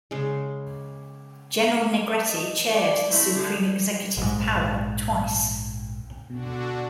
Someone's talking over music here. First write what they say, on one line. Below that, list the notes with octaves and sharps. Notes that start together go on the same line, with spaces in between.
General Negrete chaired the Supreme Executive Power twice.
C#3 G#3
D#5
D5
F#3 A3 C4 E4
D3 F3 G#3
A#1 G#2
B2 D3 D4 F#4